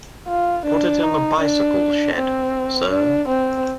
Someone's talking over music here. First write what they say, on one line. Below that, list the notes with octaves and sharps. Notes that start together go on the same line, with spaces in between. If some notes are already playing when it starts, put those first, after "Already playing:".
Put it in the bicycle shed, sir.
F4
D4
D#4
D4
C4
D4
C4